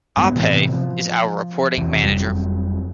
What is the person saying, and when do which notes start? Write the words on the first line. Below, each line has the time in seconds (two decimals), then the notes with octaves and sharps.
Abhay is our reporting manager.
0.17 G2 G#3 B3
0.35 A2 C3 E3
0.72 F3
1.77 E2 C3
2.04 F#1 F2 G3